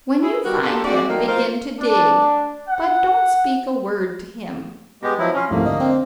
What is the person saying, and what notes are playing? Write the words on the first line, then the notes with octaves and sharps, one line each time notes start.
When you find him begin to dig, but don't speak a word to him.
E4 G#4
D#3 G3 B3 F#4 G4 A#4
A#3 D4 F4 G4 A4
G#3 C4 F#4 D5
D#3 F3 F#3 A#3 D#4
F4 A#4 C5
D4
F#5
G#3 B3 G4 A#6
F3 F#3 E4
C#4 C6 F6
C2 F2 G#2 A3 A#3
D3 D#5
C4